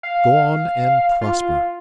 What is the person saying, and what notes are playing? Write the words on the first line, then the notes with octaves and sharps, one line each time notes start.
Go on and prosper!'
F5
F4